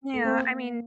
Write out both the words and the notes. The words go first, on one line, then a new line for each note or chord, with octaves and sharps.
Yeah, I mean
A3
A#3 C4